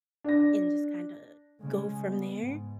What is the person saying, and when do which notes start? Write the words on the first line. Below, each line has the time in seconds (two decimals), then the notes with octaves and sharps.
and just kinda go from there.
0.24 D4 A#6
1.61 C#3 G#3
2.07 B3
2.36 G#2